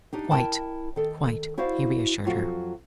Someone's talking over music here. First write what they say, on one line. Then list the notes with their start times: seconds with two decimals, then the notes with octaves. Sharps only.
"Quite--quite," he reassured her.
0.13 D4 D#4 G4
0.31 E4 A#4 D#5 G5 A5
0.96 D#3 A4
1.58 E4 F#4 C5 D5 F5
2.25 F2 F#3 F4 F#4 F5